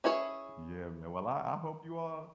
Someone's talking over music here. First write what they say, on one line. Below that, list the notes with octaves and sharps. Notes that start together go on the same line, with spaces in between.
Yeah, man. Well, I I hope you all
C#4 E4 G#4 C#5